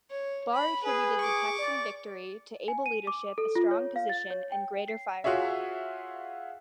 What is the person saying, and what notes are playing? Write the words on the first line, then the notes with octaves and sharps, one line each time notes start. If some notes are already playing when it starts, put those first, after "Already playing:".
Barr attributed the Texian victory to "able leadership, a strong position, and greater firepower".
C#5
B5
G#4 B4
C#6 D6
D5
G#5
D#7
D6
A4
F4
C#5
F5
A6
C#5
G5
C7
F4 F#4 G#4 C#5 E5